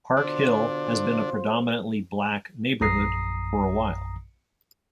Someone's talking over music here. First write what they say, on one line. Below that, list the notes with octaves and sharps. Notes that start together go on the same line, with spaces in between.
Park Hill has been a predominantly black neighborhood for a while.
B2 D3 D4 F4 C5
A#1 F#2 A#5 D#6 A#6 C7